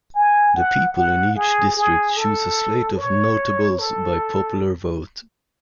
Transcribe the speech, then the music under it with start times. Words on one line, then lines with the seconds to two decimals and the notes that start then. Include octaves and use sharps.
The people in each district chose a slate of "notables" by popular vote.
0.15 G#5
0.56 F#5
0.96 F#5
1.36 G#4
1.77 G#4
2.17 A4
2.98 C#5
3.79 A4